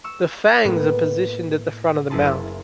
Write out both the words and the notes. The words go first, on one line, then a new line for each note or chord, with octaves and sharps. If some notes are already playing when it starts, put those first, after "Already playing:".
The fangs are positioned at the front of the mouth.
C#6 E6
A2 A#3 B3
F#1 E4 G#4 A5 C6